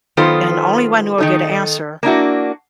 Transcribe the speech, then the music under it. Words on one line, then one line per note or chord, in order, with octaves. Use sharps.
and the only way I knew I'd get a answer
D#3 F#3 B3 F4 A4 C5
D#3 D#4 A4
A#3 D4 E4 F#4